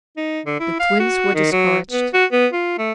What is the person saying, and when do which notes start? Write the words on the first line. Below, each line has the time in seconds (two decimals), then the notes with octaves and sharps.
The Twins were discouraged.
0.17 D#4
0.45 D3
0.60 E4
0.79 F5
1.00 F#4
1.34 D#3
1.52 F#3
1.91 B3
2.13 F#4
2.32 B3
2.53 F4
2.78 A3